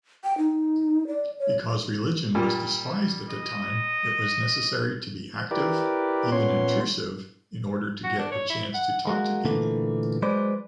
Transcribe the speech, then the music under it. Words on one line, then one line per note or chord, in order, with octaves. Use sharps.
Because religion was despised at the time, it was necessary to be active, even intrusive, in order to get a chance to talk to people.
G5
D#4
D5
C#5
A#2 G3
D#5
E4 G4 A#4 B4 D5
A#2 B3 C#4 C#5 C6
F#4
D4
C#5
E4
F#5
G#3 A#3 F#4
A#2 D3 E3 A3 A#3
F#3 G#3 B4 C5 D5